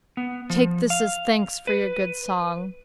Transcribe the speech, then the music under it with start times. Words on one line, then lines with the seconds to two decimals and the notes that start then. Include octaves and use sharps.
"Take this as thanks for your good song."
0.17 B3
0.50 F3
0.90 F5
1.67 B4